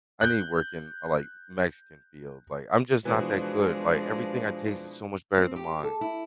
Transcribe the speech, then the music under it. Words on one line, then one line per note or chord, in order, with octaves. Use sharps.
I need to work in, uh, like, Mexican field. Like, I'm just not that good. Like, everything I taste is so much better than mine.
F#6 G6
B2 E3 F3 G#3 D4
C4
G4
A4
E4